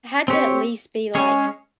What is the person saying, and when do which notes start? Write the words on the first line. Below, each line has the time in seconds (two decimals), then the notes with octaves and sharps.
had to at least be, like,
0.28 C4 G4 C#5
1.15 G#3 C#4 G#4 C#5